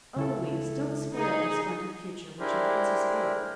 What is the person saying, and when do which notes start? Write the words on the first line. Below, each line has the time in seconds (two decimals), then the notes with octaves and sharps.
Oh! Louise, don't spoil the splendid future which awaits us both!
0.16 C#2 E4 A4
1.14 D#4 G#4
2.39 D4 E4 G4 G#4 A#4 C5